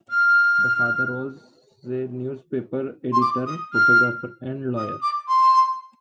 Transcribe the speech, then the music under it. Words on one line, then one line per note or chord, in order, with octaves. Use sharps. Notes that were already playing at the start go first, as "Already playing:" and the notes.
Their father was a newspaper editor, photographer and lawyer.
F6
C6
D6
D#6
F6
D#6
D6
C6